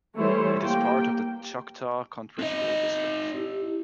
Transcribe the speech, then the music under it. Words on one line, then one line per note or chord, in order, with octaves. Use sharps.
It is part of the Choctaw County School District.
E3 G3 A3 E4 C5 C#5
A#3 G4 G5
C4 D#4 D#5
E4 G4